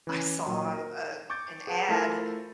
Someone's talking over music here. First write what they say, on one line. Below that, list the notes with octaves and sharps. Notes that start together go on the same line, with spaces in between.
I saw, uh, an ad
E3 C#4
A#2 F#3
A#4
C#6 D6 G6 A6
G#4 B4 F#5 A5
A3 E4 F4 A4 A#4 C5